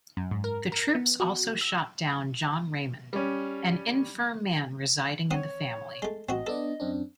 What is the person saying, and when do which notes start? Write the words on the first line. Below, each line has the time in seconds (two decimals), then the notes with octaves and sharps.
The troops also shot down John Raymond, an infirm man residing in the family.
0.17 F#2
0.31 G#2
0.44 A#4
0.72 A#4
0.95 B3
1.20 F#4
1.61 E6
3.13 G3 C#4
5.31 C4 C#5 F#5 D#6
6.02 G#3 A3
6.29 A1 C4 F#4 D#5
6.47 B3 D4 A4 D5
6.80 F#2 C4 D4